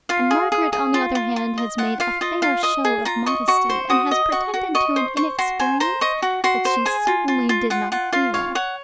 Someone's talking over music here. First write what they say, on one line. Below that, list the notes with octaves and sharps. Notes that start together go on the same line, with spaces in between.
And Margaret, on the other hand, has made a fair show of modesty, and has pretended to an inexperience that she certainly did not feel.
F4 F5
G#4
G#4
G#4
F4
F4
F4
D#5
F4 F#5
F4 F5
F4 D#5
F4 F5
D#5 D#6
G#4
F4 A#5
D#5 C#6
F#4 C#6
C5
F#4 D#6
D#5
F#4 C#6
F#4
D#5 C#6
C5
C5 C#6
F#4 C6
C5 G#5
C5 A#5
D#5 C#6
F#4
F#4 C6
C5
G#4 G#5
F4
F4
F4
F4 F#5
F4 F#5
F4 F5
C#5 F5
C#5 F#5